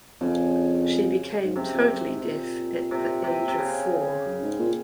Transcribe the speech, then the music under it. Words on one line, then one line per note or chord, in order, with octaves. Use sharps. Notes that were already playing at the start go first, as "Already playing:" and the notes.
She became totally deaf at the age of four.
F2 C#3
G#2
F#2 C3
F2
F#2
G#2
A#2
C3
C3
C3
C#3
F#2
G#2
A#2